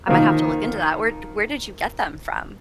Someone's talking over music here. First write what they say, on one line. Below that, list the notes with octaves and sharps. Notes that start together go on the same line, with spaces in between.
I might have to look into that. Where di where did you get them from?
D#3 F3 A#3